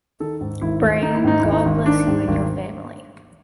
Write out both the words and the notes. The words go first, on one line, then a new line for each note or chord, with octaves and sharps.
Brain, God bless you and your family.
D#3 A4
G#2
G#1 E4
G#1
D#3 D#4
E4
G#2 D#4
G#1 E4
D#4
G#1
D#3 D4
G#2
G#1